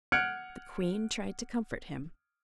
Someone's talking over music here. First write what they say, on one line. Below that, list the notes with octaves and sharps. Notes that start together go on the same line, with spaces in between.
The queen tried to comfort him.
F#5 F6 F#6 G#6 C#7 D7